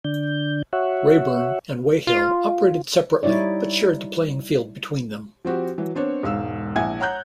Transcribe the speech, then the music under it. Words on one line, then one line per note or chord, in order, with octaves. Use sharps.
Raeburn and Weyhill operated separately but shared the playing field between them.
D3 D4 G6
F#4 C#5 E5 F#5
F4
G3 D#4 E4 C#5 D5
F3 C4 F#4 G4
E3 F#3
B3 C4 D4 C#5
E1 G#2 F5 E6
A#1 E4 F#5 G#5 G#6
C#5 F#5 A#5 F#6 G6